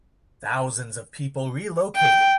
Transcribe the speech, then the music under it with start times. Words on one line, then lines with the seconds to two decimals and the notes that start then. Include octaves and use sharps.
Thousands of people relocated.
1.96 G5